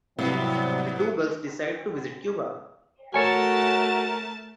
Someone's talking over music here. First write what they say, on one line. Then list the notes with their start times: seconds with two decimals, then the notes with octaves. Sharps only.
The two girls decide to visit Cuba.
0.19 G#2 C3 F#3 G3 B3 C4 E4
3.14 A3 F#4 A4 A#4 C#5 G#5 A5